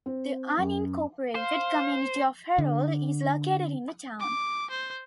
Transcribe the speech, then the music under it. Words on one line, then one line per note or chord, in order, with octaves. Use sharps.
The unincorporated community of Herold is located in the town.
C4
F#2
C5 F5
D3
D6
C5